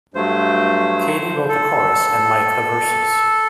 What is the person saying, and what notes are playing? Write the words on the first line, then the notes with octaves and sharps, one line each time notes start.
Katie wrote the chorus and Mike the verses.
G2 F#3 A3 C5
A4